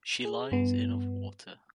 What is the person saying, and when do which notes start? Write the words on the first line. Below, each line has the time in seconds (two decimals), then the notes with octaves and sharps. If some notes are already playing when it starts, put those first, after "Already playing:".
She lies in of water.
0.25 G#4
0.52 G2 B3